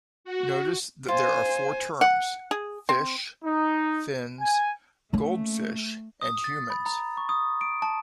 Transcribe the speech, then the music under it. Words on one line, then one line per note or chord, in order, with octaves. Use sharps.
Notice that there are four terms: "fish", "fins", "goldfish" and "humans".
F#4
F4 C5 G#5
F#5
G#4
C4
D#4
G#5
A3 A#3 C#4
D#6
A6
B5
A#5
C#6
D#6
D7
A5